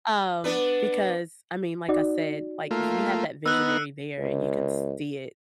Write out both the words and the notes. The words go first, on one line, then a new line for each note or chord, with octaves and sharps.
um, because I mean, like I said, like, if you have that visionary there and you can s see it,
B3 D4 B4
D#4 F#4 D5
A3 A#3 F4
B3 D#4 E6 F#6
C#2